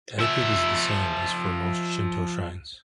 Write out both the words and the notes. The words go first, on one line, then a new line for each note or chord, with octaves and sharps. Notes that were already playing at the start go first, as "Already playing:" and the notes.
Etiquette is the same as for most Shinto shrines.
F3 E5